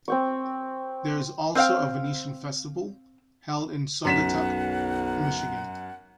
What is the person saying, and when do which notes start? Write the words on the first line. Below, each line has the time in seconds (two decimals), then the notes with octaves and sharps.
There is also a Venetian Festival held in Saugatuck, Michigan.
0.08 C4 G5 C#6
1.55 C4 C5 F5 G5
4.05 B1 F#2 F#5 B6 E7